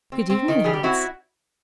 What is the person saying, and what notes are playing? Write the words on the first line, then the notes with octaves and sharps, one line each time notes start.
'Good evening, Hans.
C4
C4
D#3
G3 G#4
G4
C4 E4 F#4